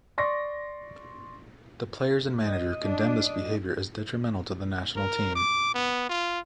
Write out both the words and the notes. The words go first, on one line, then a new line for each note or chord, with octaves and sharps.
The players and manager condemned this behavior as detrimental to the national team.
D5 C6 C#6 A#6
D#5
D4
A#4
D6
B3
F4